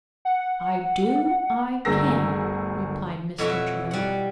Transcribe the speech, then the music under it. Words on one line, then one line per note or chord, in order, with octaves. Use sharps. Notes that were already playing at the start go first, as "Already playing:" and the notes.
"I do; I can," replied Mr. Travilla.
F#5
G1 D2 G#4 A#4 E6 A#6
F2 B2 E4 F#4 C#5 E5
G3 F#5